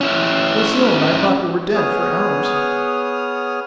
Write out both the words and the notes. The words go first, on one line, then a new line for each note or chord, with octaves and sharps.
Lucille and I thought you were dead for hours.
C#4 E4
B3 G#4 C#5 D#6 F6